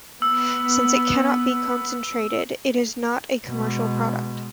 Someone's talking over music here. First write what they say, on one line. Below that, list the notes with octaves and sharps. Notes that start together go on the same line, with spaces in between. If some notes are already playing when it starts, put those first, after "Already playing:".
Since it cannot be concentrated, it is not a commercial product.
B3 E6
B2 G#3